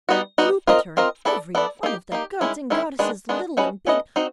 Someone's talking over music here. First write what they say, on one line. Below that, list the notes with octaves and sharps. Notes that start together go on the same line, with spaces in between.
Jupiter, and every one of the gods and goddesses, little and big!
G3 B3 D#4 F#4
G3 B3 D#4 F#4
C4 F4 A#4 D#5
C4 F4 A#4 D#5
B3 E4 A4 D5
B3 E4 A4 D5
A#3 D#4 G4
A#3 D#4 G4
D#3 G#3 C#4 E4
D#3 G#3 C#4 E4
D#3 G#3 B3 D4
D#3 G#3 B3 D4
A3 C#4 F#4 B4 D#5
A3 C#4 F#4 B4 D#5
C4 D#4 F#4